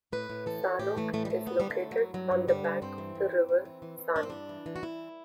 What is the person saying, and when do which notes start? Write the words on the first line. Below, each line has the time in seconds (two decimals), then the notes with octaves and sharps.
Sanok is located on the bank of the river San.
0.12 A2 B4
0.30 A2
0.46 E3 A4
0.63 E3
0.79 A2 G4
0.97 E3 A3
1.13 A2 A3
1.25 G3
1.30 A2 A3
1.47 D3 B3
1.60 G3
1.64 D3
1.70 A3
1.80 G2
1.91 F#3
1.97 G2
2.14 G2 F#3
2.31 G2
2.48 D3 G3
2.64 G2
2.82 G2 C4
2.98 E3
3.15 G2
3.31 G2
3.49 E3
3.65 E3
3.82 E3
3.98 E3
4.15 G2 D4
4.23 C4
4.30 G2 D4
4.49 E3
4.66 E3
4.76 F#4
4.83 E3 E4